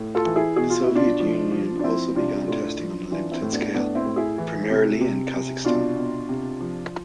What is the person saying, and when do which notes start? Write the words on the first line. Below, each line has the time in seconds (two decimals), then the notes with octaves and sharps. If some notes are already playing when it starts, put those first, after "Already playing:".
The Soviet Union also began testing on a limited scale, primarily in Kazakhstan.
Already playing: A2
0.15 F4 A4
0.25 E3
0.36 E4 G#4
0.56 B2 G#4
0.70 F4
0.82 E4
0.88 B2
0.95 D4 F4
1.20 F3
1.51 F3
1.79 D4
1.84 F3 C4 E4
2.15 C3 D4 F4
2.47 A2 D4 F4
2.79 F3
3.11 E3 D4 F4
3.32 C4 E4
3.42 A2
3.53 B3 D4
3.74 A2 B3 D4
3.95 C4 E4
4.06 A2
4.16 E4 G#4
4.38 E3
4.70 C3
5.01 C3
5.34 C3
5.65 B2 D4 F4
5.96 B2
6.29 C3
6.60 F3